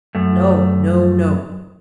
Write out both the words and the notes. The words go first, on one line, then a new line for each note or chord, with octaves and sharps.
"No, no, no!"
F#2 A3